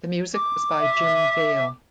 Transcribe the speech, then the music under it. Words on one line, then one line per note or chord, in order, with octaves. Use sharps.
The music was by Jim Dale.
D6
E5